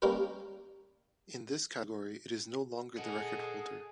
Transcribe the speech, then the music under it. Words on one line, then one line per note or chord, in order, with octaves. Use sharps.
In this category it is no longer the record-holder.
G3 A#3 C#4 G4 A#4 B4
G#4 A4 D#5 F#5